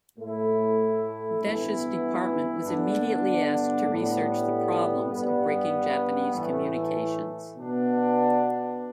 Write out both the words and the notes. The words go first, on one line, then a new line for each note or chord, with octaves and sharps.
Desch's department was immediately asked to research the problems of breaking Japanese communications.
A2 A3 E4
G2 E3 B3 E4
G2 D3 B3 D4
A2 G3 B3
G2 G3 B3
A2 E3 A3
B2 B3 D4